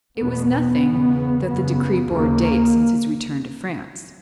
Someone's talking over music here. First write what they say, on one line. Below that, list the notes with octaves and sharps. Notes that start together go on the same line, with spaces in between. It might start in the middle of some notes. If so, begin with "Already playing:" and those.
It was nothing that the decree bore date since his return to France.
E2 B2 B3
B3
E2 C#3
F#2 C#3 B3
D#2 C#3 A#3
A#3